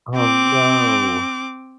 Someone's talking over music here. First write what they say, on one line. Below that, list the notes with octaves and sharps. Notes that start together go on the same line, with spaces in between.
Oh, no.
C4 D6